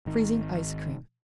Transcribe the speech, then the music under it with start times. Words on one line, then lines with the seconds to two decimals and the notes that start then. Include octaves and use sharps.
Freezing Ice Cream.
0.06 G#1 D#3